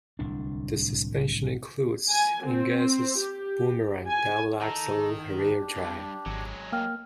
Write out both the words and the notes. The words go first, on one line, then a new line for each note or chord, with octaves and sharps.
The suspension includes Engesa's Boomerang double-axle rear drive.
D1 C2 A2 D4
G#5
C4
G4
G#5
D#3 A4 A#5
D4 G4
G2
G#1 F#3 G#3
A#3 G5 F6